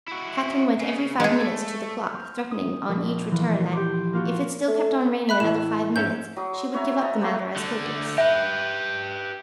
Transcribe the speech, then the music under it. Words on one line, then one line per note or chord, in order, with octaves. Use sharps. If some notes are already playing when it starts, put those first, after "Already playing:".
Catherine went every five minutes to the clock, threatening on each return that, if it still kept on raining another five minutes, she would give up the matter as hopeless.
E4 F#4
C#3
G#3 A3 G#4
C4 F6
D#6
A#1
E3 F3
G4 C6 D6
A#3 F4 F#4
A3
E5 B5 F#6
A2 E3 E7
G#2 C#4 E5 G6
F#3 D#6
C6
B4 C#5 E5 A#5
D#5 E5 A5 A#5
A3 A#3 B4 C5
D3 A3
G4 B4 E5